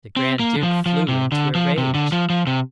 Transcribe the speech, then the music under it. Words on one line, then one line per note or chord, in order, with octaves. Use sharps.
The grand duke flew into a rage.
C4
A#3
D3
F3
F3
C3
D3
F3
C3
D3
F3
F3
C3